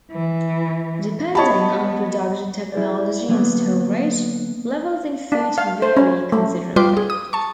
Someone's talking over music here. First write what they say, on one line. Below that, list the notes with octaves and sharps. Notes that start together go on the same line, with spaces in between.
Depending on production-technology and storage, levels in food vary considerably.
E3
B3 G4 C#5 D#5 A5 B5
E4 G#4 C5 D5
D3 F#3 A#3 B3
D4
F5
C5
C#4
A3
G3 F4 B4 G5 C6 D6
G#4
D#6
A5 C#6